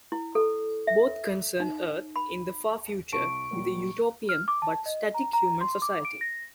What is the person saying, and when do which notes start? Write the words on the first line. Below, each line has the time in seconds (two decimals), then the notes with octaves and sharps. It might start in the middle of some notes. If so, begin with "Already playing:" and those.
Both concern Earth in the far future, with a utopian but static human society.
0.12 E4
0.35 A4
0.87 E5
1.60 D#4
2.16 B5
3.12 C2 A5 C#6 D7
3.51 A#2 F#3 G3
4.29 F6
4.48 D6
4.62 A5
4.86 D#5
5.14 A#5
5.33 A#5
5.61 C6
5.82 D6
6.05 D7
6.21 A#6